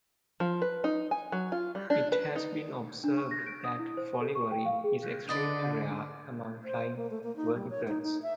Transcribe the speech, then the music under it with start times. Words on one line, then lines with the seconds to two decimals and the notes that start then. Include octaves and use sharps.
It has been observed that folivory is extremely rare among flying vertebrates.
0.40 F3
0.62 B4
0.84 D#4
1.11 G#5
1.32 F#3
1.52 F4
1.75 G3
1.90 D4
2.12 B4
2.36 D#4
3.04 D4
3.17 C#6
3.31 A#6
3.46 D7
3.64 D#6
3.79 E4
3.97 C5
4.21 A4
4.35 C#6
4.51 G5
4.65 F5
4.84 G#4
5.29 D3 B4 D5 D#5
6.64 C5
6.96 A#3
7.10 A3
7.23 A#3
7.36 D#4
7.55 G3
7.70 C#5
7.87 D#4
8.03 D#4
8.22 E5